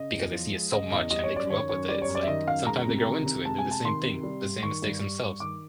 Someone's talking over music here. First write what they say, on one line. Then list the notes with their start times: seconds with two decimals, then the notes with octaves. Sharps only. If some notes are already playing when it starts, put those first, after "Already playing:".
because they see it so much and they grew up with it, it's like sometimes they grow into it and do the same thing, the same mistakes themselves.
Already playing: C#3 D#5
0.12 E2
0.32 F3
0.52 G#3
0.72 C#3 D#5
0.91 E2 D#5
1.11 G3 D#5
1.23 C#5
1.30 F#2
1.36 D5
1.49 D#3 C#5
1.69 F#2 C#5
1.89 G3 D5
2.02 C#5
2.09 F#2
2.15 D5
2.23 E5
2.28 D#3 D#5
2.47 F#2 F5
2.67 G#3 A#5
2.87 C3
3.06 D#3
3.26 C3
3.45 G#3 A5
3.58 G#5
3.65 C3
3.71 A5
3.84 D#3 C6
4.05 C3
4.23 G3
4.43 G2
4.63 D#3 C#6
4.82 G2
5.02 G3
5.22 G2
5.40 D#3 D6